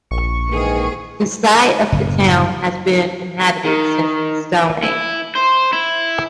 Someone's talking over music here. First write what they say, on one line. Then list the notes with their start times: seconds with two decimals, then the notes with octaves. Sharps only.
The site of the town has been inhabited since the Stone Age.
0.11 A#1 C#6
0.47 G#2 D#3 E3 A#3 G#4
1.92 F#1 A2
3.65 D#3
4.83 E4
5.36 C5
5.73 E4